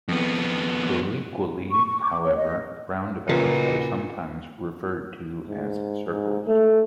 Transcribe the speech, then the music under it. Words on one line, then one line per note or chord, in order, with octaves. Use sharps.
Colloquially, however, roundabouts are sometimes referred to as circles.
F2 B3
C#6
C#6
D6
C#5
D#5
A#2 C#3 D#4 F#4 B4
G#2
G#2
A3